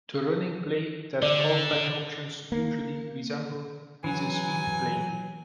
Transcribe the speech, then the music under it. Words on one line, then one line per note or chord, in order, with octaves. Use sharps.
The running play that halfback options usually resemble is a sweep play.
D3 D5
A#3
E3 F#3 G#5